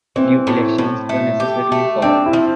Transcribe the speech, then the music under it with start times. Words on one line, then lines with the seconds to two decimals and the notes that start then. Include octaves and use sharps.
New elections were necessarily called.
0.16 E3 C4
0.47 A2
0.78 A2
1.09 A3
1.40 G4
1.72 A3
2.02 C4 D4
2.26 E4
2.33 F3